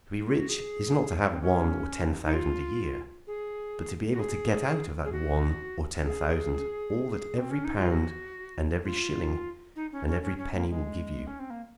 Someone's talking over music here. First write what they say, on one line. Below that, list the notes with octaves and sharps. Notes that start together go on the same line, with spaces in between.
To be rich is not to have one or ten thousand a year, but to be able to get out of that one or ten thousand all that every pound, and every shilling, and every penny will give you.
F4
F#4
G#4
C4
C#4
D#4
F4
G#4
F#4
G#4
G#4
F#4
G#4
C4
C#4
D#4
F4
F#4
F4
D#4
C#4
C#4
C#4
C#4
A#3
G#3
C#4
C4
A#3